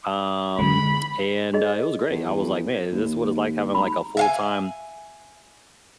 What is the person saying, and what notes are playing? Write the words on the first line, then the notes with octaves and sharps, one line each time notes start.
um, and, uh, it was great. I was like: "Man, is this what it's like having, like, a full-time
D3 G#3 B5
G#4 C#5 D#5
E2
D#2
G#1 A#5 B5
E5 F5 G#5